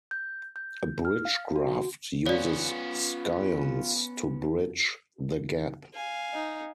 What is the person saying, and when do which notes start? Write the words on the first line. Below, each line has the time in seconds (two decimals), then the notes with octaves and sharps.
A bridge graft uses scions to 'bridge' the gap.
0.11 G6
0.56 G6
1.05 F6
1.25 F5
1.56 F#4
2.26 B3 C#4 F4 C#5 D5
5.94 F5 G#5
6.34 D#4